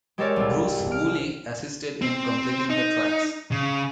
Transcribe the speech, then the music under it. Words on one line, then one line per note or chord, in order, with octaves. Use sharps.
Bruce Woolley assisted in completing the tracks.
G#3 G4 A4 A#4 C#5 D5
C2 C3
F6 D7
C4
D#4
C#3